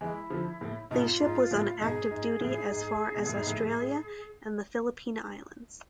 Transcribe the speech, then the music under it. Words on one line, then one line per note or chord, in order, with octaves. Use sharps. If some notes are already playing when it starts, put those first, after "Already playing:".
The ship was on active duties as far as Australia and the Philippine Islands.
E3 G#3 E4
D3 F3
A2
G#2 B2 F4
G#2
A2
G#2 B2 G#4
G#2
A2
G#2
B2
A2
G#2
A2
A2